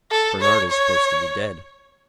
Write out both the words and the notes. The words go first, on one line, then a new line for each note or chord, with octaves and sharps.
"Bernard is supposed to be dead."
A4
C#5
C#5